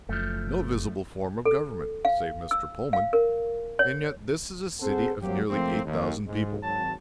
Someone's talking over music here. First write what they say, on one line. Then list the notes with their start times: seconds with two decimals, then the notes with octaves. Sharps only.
No visible form of government, save Mr. Pullman, and yet this is a city of nearly eight thousand people.
0.09 F#1 F3 A3
1.46 A4
2.05 F5
2.51 E6
2.93 F5
3.13 A#4
3.79 C#5
4.81 C4 G#4 A4 C5 F#5
5.22 F#3 G3 A#3 C4 F#4 G4
5.51 F3 A3 A#3 C4
5.86 D#2
6.28 G#2
6.62 G#1 F#3 A5